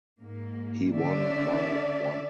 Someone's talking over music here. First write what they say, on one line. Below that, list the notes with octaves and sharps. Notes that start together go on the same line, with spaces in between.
He won by one.
G#2 A#3
D3 C#4 D5 E5